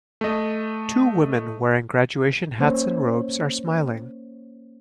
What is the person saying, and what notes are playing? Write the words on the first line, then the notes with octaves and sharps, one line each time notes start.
Two women wearing graduation hats and robes are smiling.
A3 D#5
A#3 C#4 C5 C#5